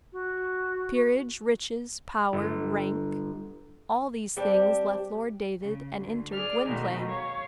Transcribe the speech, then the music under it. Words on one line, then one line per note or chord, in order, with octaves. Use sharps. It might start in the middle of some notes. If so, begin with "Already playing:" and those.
Peerage, riches, power, rank--all these things left Lord David and entered Gwynplaine.
F#4
G1
G3 C4 D4 G4
C#3
D2
G#4 D5 F6
B2 D#3 G#3 A3
C#5 F5